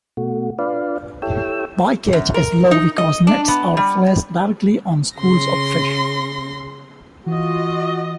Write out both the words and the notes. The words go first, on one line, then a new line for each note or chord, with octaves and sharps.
Bycatch is low because nets are placed directly on schools of fish.
B2 A3 F#4
D4 F4 B4 D5 F5
E4 G4 A4 C#5 G5 E6
F#2
A#4
D#4
D#5
D4
B3
G3
C#3 C6 A#6
E3 F4 F#4 D#5